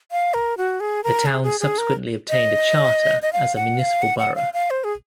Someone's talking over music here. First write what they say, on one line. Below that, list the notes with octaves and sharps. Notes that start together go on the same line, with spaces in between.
The town subsequently obtained a charter as a municipal borough.
F5
A#4
F#4
G#4
A#4
G#4
G#4
G#4
A#4
D#5
D#5
F5
F#5
F5
F#5
F#5
F5
F5
C5
G#4